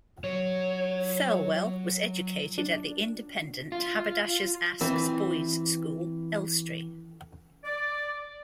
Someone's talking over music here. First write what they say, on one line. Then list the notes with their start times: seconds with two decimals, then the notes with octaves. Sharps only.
Thirlwell was educated at the independent Haberdashers' Aske's Boys' School, Elstree.
0.24 F#3 C#5
2.58 D4
3.72 F4
4.81 E3 C4
7.64 D5